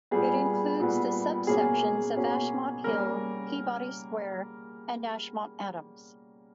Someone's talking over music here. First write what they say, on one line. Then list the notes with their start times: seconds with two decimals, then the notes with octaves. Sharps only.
It includes the subsections of Ashmont Hill, Peabody Square, and Ashmont-Adams.
0.11 A#2 G3 B3 G#4
0.80 A#2 G3 B3
1.47 B2 A#3 C#4 G#4
2.16 B2 A#3 C#4
2.83 C#3 G3 A#3 C#4 A#4